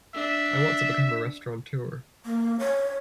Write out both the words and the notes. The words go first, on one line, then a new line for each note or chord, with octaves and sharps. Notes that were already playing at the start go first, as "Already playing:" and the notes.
I want to become a Restaurateur.
D4 E5
A#3
C#5